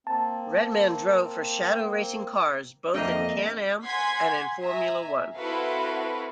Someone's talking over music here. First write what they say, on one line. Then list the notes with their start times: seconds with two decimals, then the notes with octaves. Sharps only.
Redman drove for Shadow Racing Cars both in CanAm and in Formula One.
0.07 A#3 C4 A5
2.94 F2 A#3 D4 D#5 E5 G5
3.84 F#5 G#5 C6 G#6 B6
4.61 E5 G#5 A#5
5.35 C4 E4 F#4 A4 B4 F5